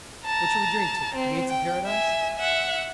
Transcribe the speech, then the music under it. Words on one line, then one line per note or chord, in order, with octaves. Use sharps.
What shall we drink to? The gates of paradise?
A5 A#5
C4
G5
E5 G#5
E5 F#5